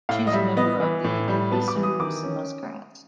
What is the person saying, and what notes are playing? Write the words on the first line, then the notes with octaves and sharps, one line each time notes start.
She's a member of the Ebisu Muscats.
A2 F5
D#5
G3 E5
B3 D#5
E3
A2
G3
B3 A5
D6
E3
D#6
D#3 D6
C#4